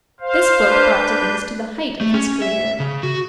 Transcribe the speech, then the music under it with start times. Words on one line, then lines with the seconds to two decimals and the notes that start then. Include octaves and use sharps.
This book brought Dickens to the height of his career.
0.20 C5 F5
0.67 D4 B4 G6
2.01 A3
2.14 C#4
2.42 E5
2.80 C#3
3.03 F#4